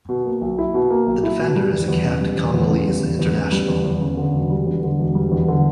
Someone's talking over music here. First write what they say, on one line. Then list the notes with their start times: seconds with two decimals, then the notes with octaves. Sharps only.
The defender is a capped Congolese international.
0.09 B2
0.25 A#3
0.41 B1
0.58 E4
0.74 B2
0.90 A#3
1.07 B1
1.23 E4
1.39 B2
1.56 G3
1.72 E2
1.88 E2
2.05 C#3
2.21 G3
2.37 E2
2.54 E2
2.70 C#3
2.86 G3
3.03 E2
3.19 E2
3.35 C#3
3.52 G3
3.68 E2
3.84 E2
4.01 C#3
4.17 D3
4.33 E1
4.50 G3
4.66 E2
4.83 D3
4.99 E1
5.15 G3
5.32 E2
5.48 D3